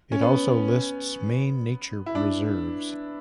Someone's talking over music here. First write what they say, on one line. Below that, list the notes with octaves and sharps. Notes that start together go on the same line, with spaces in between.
It also lists main nature reserves.
C#4
B3
E4
D4